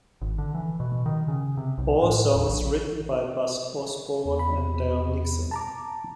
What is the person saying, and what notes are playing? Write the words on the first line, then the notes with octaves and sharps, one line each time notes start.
All songs written by Buzz Osborne and Dale Nixon.
G#1
D3
E3
B2
D#3
C#3
C3
B1
A2
D#1
A#1
E2
B5
A5 A#5 D6